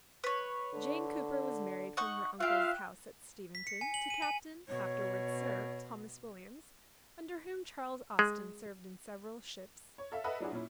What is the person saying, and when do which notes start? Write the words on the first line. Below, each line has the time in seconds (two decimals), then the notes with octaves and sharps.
Jane Cooper was married from her uncle's house at Steventon, to Captain, afterwards Sir Thomas Williams, under whom Charles Austen served in several ships.
0.24 B4 C#5
0.74 D3
1.97 D#4 F#5 C#6
2.40 F4 E5 F5 G5 F#6
3.55 B6
3.67 C#7
3.81 G#5
3.94 F#7
4.10 D#7
4.22 G#5
4.68 B2 C#5
8.19 G#3
9.98 C#5
10.12 A4 E5 F5
10.24 A4 B4 D#5 E5 F#5
10.40 F#3 D4 E4 F#4 G#4
10.52 A#2 C#4 E4